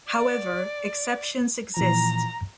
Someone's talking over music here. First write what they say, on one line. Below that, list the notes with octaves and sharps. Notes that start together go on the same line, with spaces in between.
However, exceptions exist.
D5
A#2 E3 F3 A#5